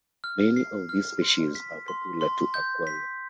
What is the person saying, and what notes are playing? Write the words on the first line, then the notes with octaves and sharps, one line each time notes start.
Many of the species are popular for aquaria.
F6
C7
F6
C6
B6
C6
C6
G6
B6